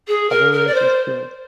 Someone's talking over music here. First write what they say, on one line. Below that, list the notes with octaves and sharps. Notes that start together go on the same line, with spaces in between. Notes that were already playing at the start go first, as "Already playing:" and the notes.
Alvarez is killed.
G#4
A#4
A#4
D5
C5